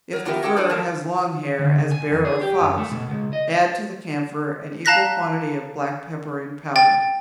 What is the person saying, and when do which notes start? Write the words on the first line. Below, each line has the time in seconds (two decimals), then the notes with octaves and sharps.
If the fur has long hair, as bear or fox, add to the camphor an equal quantity of black pepper in powder.
0.13 F#3 A#4
0.25 B3 D4 F4 G4 A#4 E5
0.43 C#4 G4 A4 F5 G5
0.56 D4 F4 A4 B4 D5
0.69 F3 A#3 A#4 A5
1.59 D3
1.78 C#3
1.92 G#5
2.11 F2
2.25 G#4
2.41 G4
2.60 F#2
2.78 A3
2.92 B2
3.09 C#2
3.33 D#5
4.85 F5 A5 A#5 F#6 A#6 B6
6.76 G5 A6